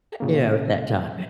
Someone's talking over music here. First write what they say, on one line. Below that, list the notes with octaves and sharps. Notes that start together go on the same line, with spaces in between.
you know, at that time,
A#2 C#3 A#3